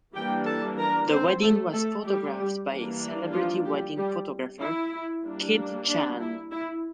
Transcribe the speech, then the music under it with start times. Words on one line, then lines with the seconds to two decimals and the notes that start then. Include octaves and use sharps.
The wedding was photographed by celebrity wedding photographer Kid Chan.
0.14 E3 G3 A#3 D4 G4 G5
0.46 A4 A5
0.78 A#4 A#5
1.10 C4 C5
1.42 A3 A4
1.73 A3 A4
2.05 G3 G4
2.69 E3 G3 A#3 D4
3.33 F3 F4
3.65 G3 G4
3.97 G3 G4
4.60 E4
5.24 G3 A#3 D4
5.88 D4
6.20 E4
6.52 E4